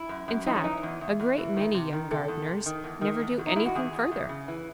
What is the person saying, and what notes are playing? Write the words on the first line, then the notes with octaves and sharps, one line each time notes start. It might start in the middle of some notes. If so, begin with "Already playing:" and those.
In fact, a great many young gardeners never do anything further.
Already playing: E4
F#2
F#2
E3 D#4
C#4
E3 D#4
E2
E2
E2
E3
D#3
C3
D#3
C3 A4
E2
C3
D#3
E2
D#3
E2
E2
D#4
E2 E4
F#4
E2 G#4
E2
E2
C#3
E3